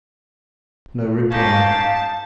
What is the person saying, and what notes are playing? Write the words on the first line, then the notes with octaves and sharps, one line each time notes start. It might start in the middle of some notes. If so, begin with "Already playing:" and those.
No reply.
C#4 D#4 G4 F5 A5